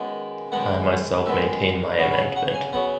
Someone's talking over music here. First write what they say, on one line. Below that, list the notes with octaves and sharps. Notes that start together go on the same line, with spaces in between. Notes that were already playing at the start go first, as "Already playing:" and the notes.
I myself maintain my amendment.
Already playing: F#2 D#3 G#3 B3
F#2 D#3 G#3 B3 F#5
F#2 D#3 G#3 B3 E5
C#3 F#3 B3 D#5
B4
C#5
F#5
G#5
C#3 F#3 B3 F#5